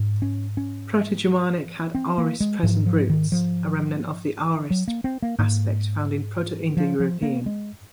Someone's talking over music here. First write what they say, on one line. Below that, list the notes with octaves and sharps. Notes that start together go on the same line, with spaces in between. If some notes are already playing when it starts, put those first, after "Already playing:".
Proto-Germanic had aorist-present roots, a remnant of the aorist aspect found in Proto-Indo-European.
Already playing: G#2
C#4
C#4
C4
A#3
G#3
G#2 F3
F3
D#3
F3
F#3
A#3
C4
A#3
G#2 A#3
F3
F3
A#3
G#3